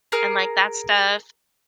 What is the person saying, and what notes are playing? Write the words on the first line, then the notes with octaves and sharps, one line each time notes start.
and, like, that stuff,
G#4 A#4 F6